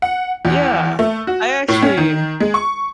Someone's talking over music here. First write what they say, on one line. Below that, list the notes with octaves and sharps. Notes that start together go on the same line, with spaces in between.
Yeah. I actually
F#5
E2
A3
F#4
A2
C#4
D#3
G#3
C#6